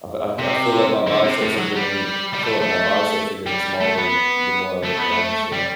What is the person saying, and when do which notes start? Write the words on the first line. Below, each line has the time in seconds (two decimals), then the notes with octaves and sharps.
Also, I c I feel like my biceps are getting I feel like my biceps are getting smaller the more I look at 'em, so
0.39 C3
1.07 D3
1.24 C3
1.41 A2
1.58 F#3
1.76 G3
2.33 G3
2.44 A3
2.61 A3
3.46 G3
3.81 A3
3.98 B3
4.84 A3
4.96 B3
5.10 A3
5.52 G3